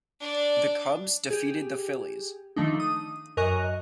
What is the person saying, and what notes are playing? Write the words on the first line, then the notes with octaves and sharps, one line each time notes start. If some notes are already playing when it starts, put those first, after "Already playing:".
The Cubs defeated the Phillies.
D4 D5
G4 G#4
D#3 F3 A3 D4 D#4
D#6
F#2 A#4 D#5 G#5 C#6 F#6